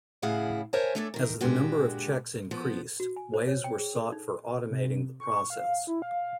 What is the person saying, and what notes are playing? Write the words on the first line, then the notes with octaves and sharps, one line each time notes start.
As the number of cheques increased, ways were sought for automating the process.
A2 C#3 E4 G#4 F5 F#5
A#4 C5 C#5 E5 G#5 A5
A3 D4 A4 C#5 D5
D#3 A#4
A#2 D3 G#3 D4 F#4 G4
F3 B3
F#4
G#5
C5
C#5
G5
G#4
A4
D#4
C3
C#6
F5
E4
F5